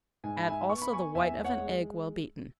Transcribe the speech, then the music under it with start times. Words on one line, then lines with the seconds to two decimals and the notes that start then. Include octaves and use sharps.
Add also the white of an egg well-beaten.
0.24 G#2 G#5
0.36 B5
0.48 E5 G#5
0.69 B3 C#6
0.82 B5
0.93 G#5 C#6
1.15 E2 E5 G#5
1.44 C#5 F#5
1.60 G#3